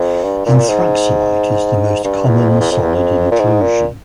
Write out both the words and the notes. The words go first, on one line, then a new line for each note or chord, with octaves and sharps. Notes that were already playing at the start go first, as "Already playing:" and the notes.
Anthraxolite is the most common solid inclusion.
Already playing: F2
G2
A#2
G#2
G2
E2
F2
E2
F2
E2
F2
A#2
G#2
A#2